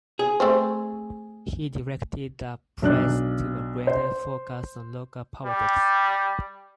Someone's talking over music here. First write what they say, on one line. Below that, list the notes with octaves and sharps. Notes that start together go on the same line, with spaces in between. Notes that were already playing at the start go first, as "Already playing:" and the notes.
He directed the "Press" to a greater focus on local politics.
G#4
A3 C4 C5
B1 D4 F#6
C5
G3